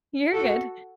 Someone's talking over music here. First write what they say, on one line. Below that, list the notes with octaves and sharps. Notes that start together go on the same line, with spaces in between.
You're good.
F#4 A4